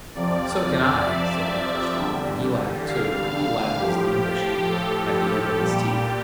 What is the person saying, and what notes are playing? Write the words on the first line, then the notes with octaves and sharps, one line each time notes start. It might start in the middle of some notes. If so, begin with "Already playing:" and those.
"So can I," said the Englishman, and he laughed too; but he laughed as the English do, "at the end of his teeth."
F2 C3 F3 D5
D5
E5
E2 D3 G3
F5
A2 F3 G4
A4
A#2 G3 G4